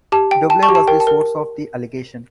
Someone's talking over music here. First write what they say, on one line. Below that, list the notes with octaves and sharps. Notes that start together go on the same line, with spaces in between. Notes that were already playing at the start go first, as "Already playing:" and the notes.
Dobelle was the source of the allegation.
G4 A5
G5
G5 A5
A5 C#6
G4
A5
A#4 G5
A5
A#4